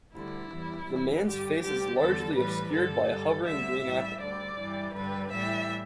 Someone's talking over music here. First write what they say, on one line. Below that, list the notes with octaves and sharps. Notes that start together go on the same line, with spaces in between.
The man's face is largely obscured by a hovering green apple.
D2 D3 G3 E4
E2 E3 G3
E2 E3 G3
G2 D3 G3 G4
D2 D3 G3 G4
E2 D3 G3 A4
A2 E3 G3 B4
G2 D3 G3 A4
G2 D3 G3
D2 D3 G3 E5
A2 E3 G3
D2 D3 G3 D5
G2 E3 G3
G2 D3 G3 B4
A2 E3 G3 E5